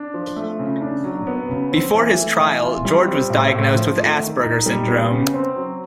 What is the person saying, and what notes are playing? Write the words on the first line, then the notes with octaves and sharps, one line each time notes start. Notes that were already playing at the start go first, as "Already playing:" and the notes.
Before his trial, George was diagnosed with Asperger syndrome.
Already playing: D4
F3
A3
C#3
D4
F#3
B3
C#3
C4
E3
A3
E3
F4
G3
C4
A2
A2
F3
A3
D#3
D#4
G3
B3
C#3
C4
F#3